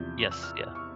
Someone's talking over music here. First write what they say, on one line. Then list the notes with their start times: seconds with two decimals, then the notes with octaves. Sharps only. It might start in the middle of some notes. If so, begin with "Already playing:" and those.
Yes, yeah.
Already playing: E2 C3 F3 G6
0.19 C#6
0.31 E6
0.43 F6
0.75 C#6